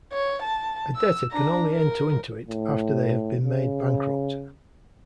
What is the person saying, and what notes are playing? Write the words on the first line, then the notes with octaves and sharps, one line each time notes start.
A debtor can only enter into it after they have been made bankrupt.
C#5
A5
E6
D4 A#5
A#4
A2
C#3